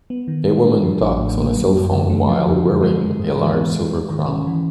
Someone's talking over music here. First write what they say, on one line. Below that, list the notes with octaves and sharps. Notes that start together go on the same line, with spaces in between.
A woman talks on a cellphone while wearing a large silver crown.
B3
D#3
G#3
D4
F3
A1
A2
A#3
F#3
F#2
D3
A3
F3
F2
D3
G#3
G#3
G#2
E3
B3
G#3
G#2
D#3
C#4
E3